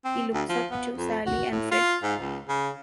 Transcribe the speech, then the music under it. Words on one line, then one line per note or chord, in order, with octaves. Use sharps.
He looks up to Sally and Fred.
C4
D2
F3
B3
F2
F#4
A2
F4
G#2
C#2
C#3